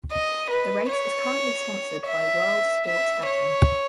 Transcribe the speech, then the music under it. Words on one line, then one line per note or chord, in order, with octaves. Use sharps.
The race is currently sponsored by World Sports Betting.
D#5
B4
C#5
E5
E5
C#5